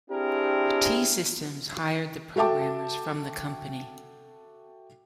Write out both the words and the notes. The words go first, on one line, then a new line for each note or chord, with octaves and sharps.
T-Systems hired the programmers from the company.
C4 D4 E4 G4 G#4 A#4
F#4 A4 E5 G5 A5 D6